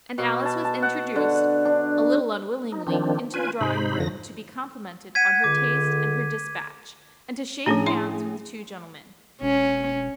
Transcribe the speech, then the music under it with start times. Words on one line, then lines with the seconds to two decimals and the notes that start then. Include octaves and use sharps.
And Alice was introduced a little unwillingly into the drawing room to be complimented on her taste and her despatch, and to shake hands with the two gentlemen.
0.18 B2
0.46 A5
0.65 A5
0.83 F#5
1.16 D3
1.65 D4
2.72 D#4
2.87 D#3 F3 C4 D4
3.34 F4 B4 G#5
3.61 G#2 C3 D#4 C5 B5
4.00 F2 D3 F3 A#6
5.15 F#5 G#6 B6 D#7
5.44 C#2 D3 D6
7.66 A2 F3 C#4 D4 G#4 D#7
7.86 E4 E5 C6
9.42 E1 C#4